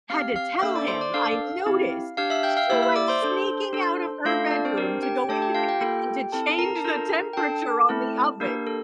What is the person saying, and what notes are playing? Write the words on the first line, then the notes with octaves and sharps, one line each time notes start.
had to tell him, I noticed she went sneaking out of her bedroom to go into the kitchen to change the temperature on the oven,
C4 G4 F5 F6
F5 F6
A#3 D4 A4 E5 E6
D5 D6
C5 C6
D5 D6
D4 A4 F5 F6
C4 E4 G4
D4 G4 F5 F6
E5 E6
G5 G6
F5 F6
A#3 E4 G4 E5 E6
E5 E6
D5 D6
C5 C6
D4 A4
D4 A4
A3 D4 F4 A4 F5
D4 D5
C4 C5
D4 G4 A#4
G4 G5
A3 D4 G4 A4 A5
G4 G5
F4 F5
G4 G5
A#3 F4 A4
C4 E4 A4 A5
A#4 A#5
A5
D4 F4 A4 A#4 A#5
G5
D4 A4 A5
A3 C4 E4 A4
A#3 D4 G4 A#4
A4